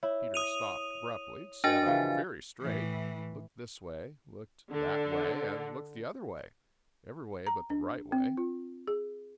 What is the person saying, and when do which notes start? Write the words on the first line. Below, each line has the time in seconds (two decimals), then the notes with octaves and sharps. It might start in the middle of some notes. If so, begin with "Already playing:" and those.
Peter stopped abruptly, sat up very straight, looked this way, looked that way and looked the other way, every way but the right way.
0.03 E4 C#5
0.34 D#6 D#7 F7
1.64 D4 F#4 A#4 D#5 G#5 A6
1.86 C#3 E3 F3
2.61 A2 E3
4.71 D3
7.47 A#5
7.70 D4
8.12 C4
8.37 F4
8.88 G#4